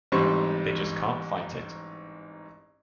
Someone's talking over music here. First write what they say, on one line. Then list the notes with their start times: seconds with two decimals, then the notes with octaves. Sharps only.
They just can't fight it.
0.12 A1 G#2 G3 C4 C5 C#6